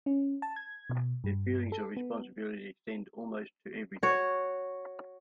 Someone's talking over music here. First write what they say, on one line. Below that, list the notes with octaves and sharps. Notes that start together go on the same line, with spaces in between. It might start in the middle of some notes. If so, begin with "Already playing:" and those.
Their feelings of responsibility extend almost to everything.
C#4
A5
G#6
B2
G2
A4
B3
F#4 C#5